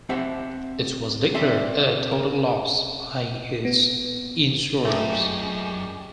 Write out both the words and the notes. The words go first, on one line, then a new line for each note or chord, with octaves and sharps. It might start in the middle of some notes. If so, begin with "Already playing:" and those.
It was declared a total loss by its insurers.
C4 G4 C5 E5 F#5
C4 G4 D5 E5 G5 C6
A#4
B3
F#2 A#2 G#3 A3 G4